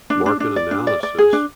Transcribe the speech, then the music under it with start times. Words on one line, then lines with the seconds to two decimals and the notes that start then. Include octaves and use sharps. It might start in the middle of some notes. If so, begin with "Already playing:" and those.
market analysis
0.10 D4
0.26 D4
0.40 D4
0.56 D5
0.71 D4
0.87 D5
1.03 D5
1.18 G#4
1.33 D4